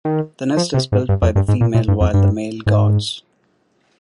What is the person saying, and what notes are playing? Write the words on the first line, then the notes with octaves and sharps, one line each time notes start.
The nest is built by the female while the male guards.
D#3
F3
C3
G#2
G2
F2
G2
G#2
A#2
A#2
G2
F2
G2
G#2